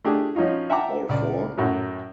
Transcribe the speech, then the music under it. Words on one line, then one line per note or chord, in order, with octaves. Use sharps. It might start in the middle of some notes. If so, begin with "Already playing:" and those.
All four?
A3 D4 G4 G#4
F3 C#4 D#4 F4 F#4
E5 F#5 G5 A5 A#5 D6
C#2 D5
F#2 A2 F#3